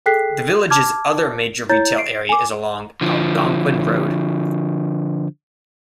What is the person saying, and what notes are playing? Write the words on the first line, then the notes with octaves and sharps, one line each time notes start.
The village's other major retail area is along Algonquin Road.
G#4 A4 G5 F#6 B6 C7
A5 D6 F6 G#6
E4 C#5 A#5 G6 A6
C7 D7
G#5 D6
D3 F3